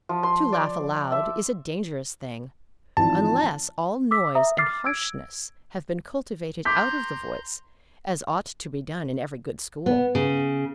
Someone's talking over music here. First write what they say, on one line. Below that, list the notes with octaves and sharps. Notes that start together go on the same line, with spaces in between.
To laugh aloud is a dangerous thing, unless all noise and harshness have been cultivated out of the voice, as ought to be done in every good school.
F3
C6
D5
E5
G#1 E3 F3 A5
D6 E6 B6
E5 A#5 D#6
D6 F6 A6 C7
E6 G#6 D7
A#5 C6 D6 G6 B6
B3
C#3